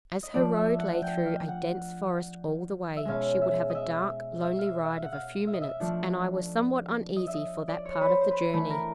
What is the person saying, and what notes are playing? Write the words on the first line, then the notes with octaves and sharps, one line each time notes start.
As her road lay through a dense forest all the way, she would have a dark, lonely ride of a few minutes, and I was somewhat uneasy for that part of the journey.
D#5
F3 A3 D4 D5
E5
F#5
G5
F5
F#5
E5
B2 G#3 C#4 F5
E5
D#5
E5
E5
F5
E5
E5
F5
F#5
F5
E5
D#5
E5
F3 A3 D4
D#5
E5
D#5
D5
C#5
B4
C5
C5
B4
E3 A3 D4 B4
A#4